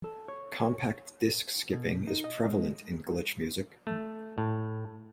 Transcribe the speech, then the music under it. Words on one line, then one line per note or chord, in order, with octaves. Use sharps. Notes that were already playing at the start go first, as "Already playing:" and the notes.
Compact Disc skipping is prevalent in glitch music.
A4
C#5
C#5
B2
D#4
D#5
G#3
A3
A2